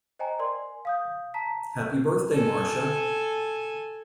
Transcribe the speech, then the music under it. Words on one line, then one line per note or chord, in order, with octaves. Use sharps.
Happy Birthday, Marsha!
C5 D#5 G5 G#5 A#5
A#4 D5 G#5 C6
F5 D#6 G6
A5 A#5 B6
A4 G#5